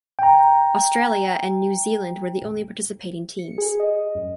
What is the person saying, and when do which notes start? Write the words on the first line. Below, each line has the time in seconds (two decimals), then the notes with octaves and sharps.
Australia and New Zealand were the only participating teams.
0.19 G5 A#5
3.39 C#7
3.58 G#4
3.80 D#5
4.15 F#2